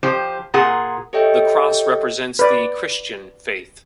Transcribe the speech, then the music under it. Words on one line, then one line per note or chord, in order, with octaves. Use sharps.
The cross represents the Christian faith.
F3 G4 C5
A#2 F4 G#4 A#4 F#5
G4 A4 C#5 D#5 E5 G5
B4 D5